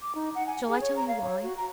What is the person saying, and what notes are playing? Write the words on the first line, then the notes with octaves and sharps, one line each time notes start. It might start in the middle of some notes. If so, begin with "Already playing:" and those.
Shall I tell you why?
D6
D#4
F#5
G#5
G#4
C#5
A#5
F5
C#5
F#4
A#5